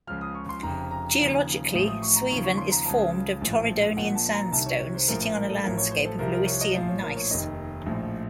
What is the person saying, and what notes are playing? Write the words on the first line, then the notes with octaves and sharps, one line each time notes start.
Geologically, Suilven is formed of Torridonian sandstone, sitting on a landscape of Lewisian Gneiss.
C#2 C#3 F3 F6
D#6
C#6
C6
F1 F2 C#3 A#5
A#5
D#2 C#3 F3
A1 A2 F3 D#6
D#6
C#6
A#5
D#2 C#3 F3 C#6
C#6
C6
A#5
C#2 C#3 F3 A5
A#1 A2 F3
A#1 A#2 F3 F#5
A5
A#5
C2 C3 D#3 A5
C#5
C#5
C5
A#1 A2 F3 A#4
A#4
A#4
A4
A1 A2 F3 A#4
C#5
C5
A4
C2 C3 F3 A#4
A#4
C#5
D#5
A#1 A2 F3 F5
C#5
A#4
C#5
F1 D#2 D#3 D#5
A#1 A2 F3